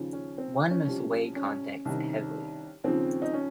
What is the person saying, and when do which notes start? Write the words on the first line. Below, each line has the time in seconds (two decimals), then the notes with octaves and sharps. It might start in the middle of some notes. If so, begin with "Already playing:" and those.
One must weigh context heavily.
Already playing: D#2 C#3 F3
0.13 C#4
0.38 C4
0.70 C#4
0.87 C2 C3 F3
1.36 C#4
1.85 C2 C3 D#3
2.84 D#2 C#3 F3 C4
3.22 D#4
3.34 C#4